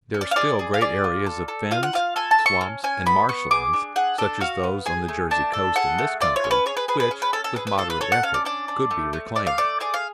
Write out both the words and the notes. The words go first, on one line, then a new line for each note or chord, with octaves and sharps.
There are still great areas of fens, swamps, and marshlands, such as those on the Jersey coast in this country, which with moderate effort could be reclaimed.
C#4
D5
F5
G#4 D5
G#4
F5
G#4 D5
F4
A4
A4
F4 F5
F#5
F4 F5
A4 G#5
A5
A4
C#6
C#4
C#4 G#5
B3 B5
B3 C#6
G#4 D6
D4
G#4 F#5
D4 A4
F#4 F5
B3
G#4 G#5
A3
D4 A5
A4
G#4 F#5
A3
F4 D5
C#5
C#4
B4
G#4 C#5
B4
G#4 B4
B4
C#4
B4
C#4 A4
A4
G#4 B4
B4
F4 A4
B4
A4 C#5
F#5
C#4 F5
D5
D4 D5
D4
A3
A3
A3 D5
F5
A3 D5
G#4 D5
F5